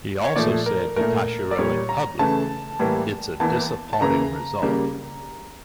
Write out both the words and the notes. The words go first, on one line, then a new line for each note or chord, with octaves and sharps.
He also said to Tashiro in public, It's a disappointing result.
C#5
A#2 F3 A3 D5
A#4
A#2 A3 A#4
D5
A#2 G3 A#3 C#5
A#5
C#3 E3 A3 A5
A2 E3 G3 A#3
E2 E3 A#3 A5
A5
C#3 E3 A#3 A#5
C#3 G3 A#3